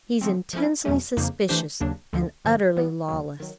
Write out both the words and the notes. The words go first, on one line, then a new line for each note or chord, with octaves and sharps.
He's intensely suspicious and utterly lawless.'
D3 F3 A3 C4
F3 A3 C#4 E4
E2 B2 F#3 A3 C#4
F2 C#3 F3 A#3 D#4
E3 A3 D4 G4 C5
D#2 C#3 F#3 A#3 D4
D2 D3 F3
G2 D3 F3
E3 G3 B3
D#2 C#3 F#3
D#3 F#3